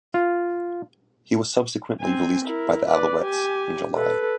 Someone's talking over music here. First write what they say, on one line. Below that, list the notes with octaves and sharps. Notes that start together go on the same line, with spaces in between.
He was subsequently released by the Alouettes in July.
F4
C4 G#5
E4 A#4
B4 D5
G4 G#5
A4 B4